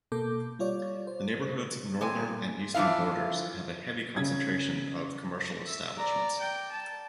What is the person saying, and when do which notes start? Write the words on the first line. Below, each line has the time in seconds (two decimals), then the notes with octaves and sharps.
The neighborhood's northern and eastern borders have a heavy concentration of commercial establishments.
0.12 B2 A#3 A4 D6 G6
0.59 G3 F4 C#5 D5
1.07 C5
2.01 G3 C4 G#5
2.74 E3 F3 D4 E4 F5
4.16 C#3 G#6
5.66 E5
5.97 D5 A#5
6.40 G5
6.71 A5